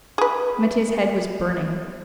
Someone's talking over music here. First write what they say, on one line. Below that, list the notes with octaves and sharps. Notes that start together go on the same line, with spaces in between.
Mitya's head was burning.
G#4 B4